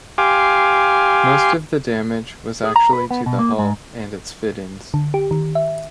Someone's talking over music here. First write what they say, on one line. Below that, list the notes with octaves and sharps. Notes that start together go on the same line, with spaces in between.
Most of the damage was actually to the hull and its fittings.
G4 F5 G#5 C6 D6
G#4
A#5
B4
B3
B2
A#3
G#2
D3
G4
D#3
E5